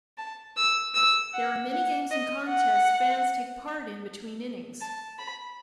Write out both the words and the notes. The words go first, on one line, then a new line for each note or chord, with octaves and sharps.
There are many games and contests fans take part in between innings.
A5
E6
E6
F#5
F#5
D#5
F#5
A5
B5